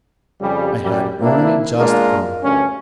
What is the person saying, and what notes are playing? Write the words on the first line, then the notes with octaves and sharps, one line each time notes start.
"I had only just come."
F2 C#3 G3
F#2 G3
A#3 C4 D4 E4
G#3 A#3 D4 F4 A#4
D2 G2 C#4